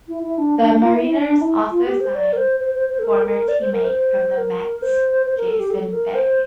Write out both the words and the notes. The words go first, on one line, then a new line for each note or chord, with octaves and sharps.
The Mariners also signed former teammate from the Mets Jason Bay.
E4
E4
D4
D4
F4
E4
E4
D4
D4
E4
F4
G4
C5
D5
A#4
C5
C5
C5
C5
A4
A#4
A4
A#4
D5
C5
A#4
C5
A#4
C5
C5
A#4
A4
G4
A4
A#4
C5